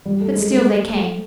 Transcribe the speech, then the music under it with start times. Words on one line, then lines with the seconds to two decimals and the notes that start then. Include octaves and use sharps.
But still they came.
0.06 G3
0.21 A3
0.36 G#3
0.51 A3
0.95 A3